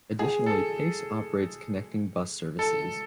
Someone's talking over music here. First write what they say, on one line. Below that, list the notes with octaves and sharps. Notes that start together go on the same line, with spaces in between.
Additionally, Pace operates connecting bus services.
G#4
A4
A4